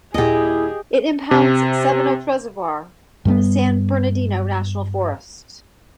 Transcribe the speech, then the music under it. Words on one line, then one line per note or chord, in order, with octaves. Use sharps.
It impounds Seven Oaks Reservoir in the San Bernardino National Forest.
D#2 A#2 E4 G4 G#4 D#5
C3
G2 G3 A#3 B3